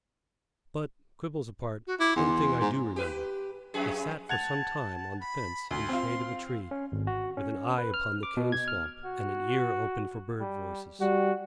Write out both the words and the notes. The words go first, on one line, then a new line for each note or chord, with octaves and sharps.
But, quibbles apart, one thing I do remember: I sat for some time on the fence, in the shade of a tree, with an eye upon the cane-swamp and an ear open for bird-voices.
F#4
E4 D6
E2 C6
G#2
G4 B4
F2 G#4
F#5 A5 G#6 F7
B5
D2 C6
C4 F4
C#4
G#1
F#4
C#4
B4
F6
D6
B2
G#6
F6
F#4
G3
G3 F#4